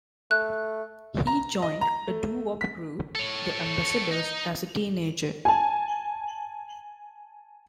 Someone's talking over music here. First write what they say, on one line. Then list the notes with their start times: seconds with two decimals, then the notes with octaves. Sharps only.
He joined a doo-wop group, The Ambassadors, as a teenager.
0.31 A3 F#6
1.27 A#5
1.62 D#5
1.81 A#5
2.07 A3
2.61 B6
3.15 A4 C#5
4.11 D#4
5.45 G#5 A5